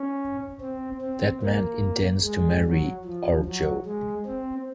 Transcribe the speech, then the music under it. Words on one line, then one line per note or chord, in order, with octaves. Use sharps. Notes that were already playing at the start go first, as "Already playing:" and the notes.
That man intends to marry our Jo!
Already playing: C#4
C4
C4
A#3
G#3
F#3
F3
F#3
G#3
C4